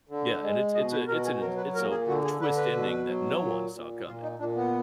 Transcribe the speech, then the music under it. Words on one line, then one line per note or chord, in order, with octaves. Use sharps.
Yeah, and it's it's a it's an it's a twist ending that no one saw coming.
D3
G#3
B2 D#5
B4
B2 A#4
G#4
F#3 A#4
B4
A#2 A#4
G#4
D3 F#4
G#4
D3 B4
B4
B2
F#3
A#2
A#2
A#2 F4
D#4
A#2 D4
B3